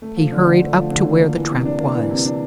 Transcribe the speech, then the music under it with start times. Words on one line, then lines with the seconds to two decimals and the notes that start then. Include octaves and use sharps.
He hurried up to where the trap was.
0.02 A3
0.17 F3
0.32 D3
0.47 D3
0.61 A3
0.76 F3
0.91 D3
1.06 D3
1.20 A#3
1.36 E3
1.51 C3
1.65 D4
1.80 A#3
1.95 E3
2.10 C3
2.25 D4